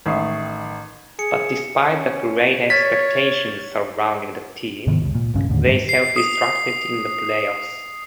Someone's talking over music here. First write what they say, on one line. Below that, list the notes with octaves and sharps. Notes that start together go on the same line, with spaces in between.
But despite the great expectations surrounding the team, they self-destructed in the playoffs.
A1 D#3 E5 C#6 D#6 C7
G#4 C#7
C#4
C#5 F6 G#6 A6 B6
G#2 C3 D#3 B3
F1 C#2
A#2
B1 G2 C#3 C#4
D#2 A2 D3
G2
C7
D#6